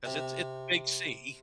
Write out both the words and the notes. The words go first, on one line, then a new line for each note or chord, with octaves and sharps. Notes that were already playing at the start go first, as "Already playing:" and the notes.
'cause it's it's a big sea,
C3